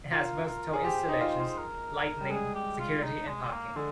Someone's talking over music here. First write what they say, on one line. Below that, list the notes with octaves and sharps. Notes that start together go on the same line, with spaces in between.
It has versatile installations, lightning, security and parking.
F4 A#4
A#4
G#4
G4 C5
D#4
F4
F4
A#4
G3
G#3 G#4
G4
F4
D#4
G#3
A#3
D3 G#3